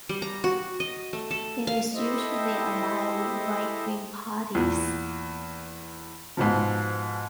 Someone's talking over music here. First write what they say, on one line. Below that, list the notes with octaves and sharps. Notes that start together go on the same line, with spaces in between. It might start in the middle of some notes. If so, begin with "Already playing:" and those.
It is usually aligned with right-wing parties.
G3
A#5
F#4
D#5
A3
A4
F5
E4 G4 A4 C5 D#5 E5
E2 A#2
G#2 B2 F3